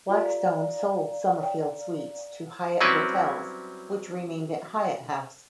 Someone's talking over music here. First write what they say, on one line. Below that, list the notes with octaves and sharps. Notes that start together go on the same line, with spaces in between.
Blackstone sold Summerfield Suites to Hyatt Hotels, which renamed it Hyatt House.
F4 G4 A4 D5 F5 A#5
C#5 G5
F#3 G3 C4 C#4 E4 B4